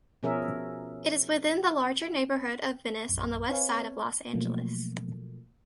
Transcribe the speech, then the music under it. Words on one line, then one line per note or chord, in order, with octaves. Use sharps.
It is within the larger neighborhood of Venice on the westside of Los Angeles.
B2 F3 C#4 G#4 A#4 E5
A#1 F#2
C4 B4 C#5 F5 G#5
B2 F3 F#3 A3 A#3